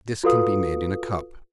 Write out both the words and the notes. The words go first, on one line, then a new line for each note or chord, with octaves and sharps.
This can be made in a cup.
F4 F#4 A4 B4 F5 D#6